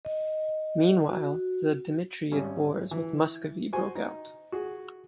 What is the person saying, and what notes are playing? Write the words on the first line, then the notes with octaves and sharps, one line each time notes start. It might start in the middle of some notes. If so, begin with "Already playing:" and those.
Meanwhile, the Dimitriad wars with Muscovy broke out.
D#5
F#4
G#1 G3 C#4
E3
F#4 C5 G#5 C#6
D#4
F#4 G#4